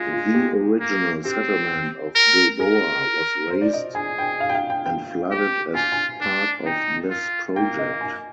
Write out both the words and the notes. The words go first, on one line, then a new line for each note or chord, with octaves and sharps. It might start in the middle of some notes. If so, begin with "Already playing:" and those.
The original settlement of Gilboa was razed and flooded as part of this project.
Already playing: G#3 F4
F4
G4
A#3
C4 G4
A#4
G#4 A#4
C5
D5
D#5
G#4 G#5
G5
F5
G5
F5
G5
G5
G4
F4 G#5
G#5
D4
D#4 G5
F4
A#3 G5
D#5
G#5